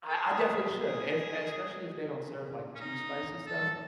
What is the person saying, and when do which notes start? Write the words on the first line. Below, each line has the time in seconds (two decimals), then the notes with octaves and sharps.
I I definitely should if especially if they don't serve, like, too spicy stuff.
0.09 A4
0.14 G#4
0.81 G#4
2.75 C#4
2.81 D#4
3.46 A4